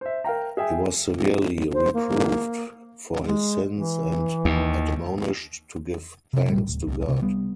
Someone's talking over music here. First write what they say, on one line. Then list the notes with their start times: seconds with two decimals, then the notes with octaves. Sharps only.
He was severely reproved for his sins and admonished to give thanks to God.
0.01 C5 E5
0.24 A#4 F5 G5 A#5
0.57 G#4 E5 G5 G#5
1.73 C5
1.94 A#3
3.26 G#3
3.76 E3
4.45 D#2
6.33 C3
6.49 A1 A#2 G3
6.67 D1
6.87 C2
7.08 C3
7.22 G3 B3